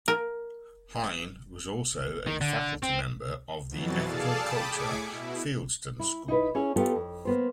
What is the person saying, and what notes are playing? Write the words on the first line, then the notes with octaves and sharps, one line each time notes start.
Hine was also a faculty member of the Ethical Culture Fieldston School.
A#4
D#3
D3
C4
F2 B2 E3 F#3 A6
G#4 A4 D5 F5 A5
G5 A5 B5 D6 D#6
A2 G#4 D6 G#6 B6 C#7
B2 E4
E4
D#4 E4 B4
C#4 E4 G#4 C#5
A3 B3 F4 G4 A4
F2
A#3 B3 C5